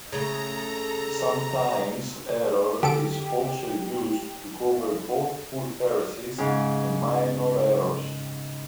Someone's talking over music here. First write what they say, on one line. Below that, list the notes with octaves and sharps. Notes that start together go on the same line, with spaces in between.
Sometimes error is also used to cover both full heresies and minor errors.
C#3 A3 A4 A#5
D3 G4 A4 D7
G#2 C#3